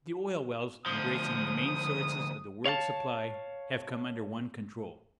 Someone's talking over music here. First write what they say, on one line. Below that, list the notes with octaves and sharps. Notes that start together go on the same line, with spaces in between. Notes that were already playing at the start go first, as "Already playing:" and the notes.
The oil-wells embracing the main sources of the world's supply have come under one control.
D2 F3 D#6
C#5 F5 F#5 A5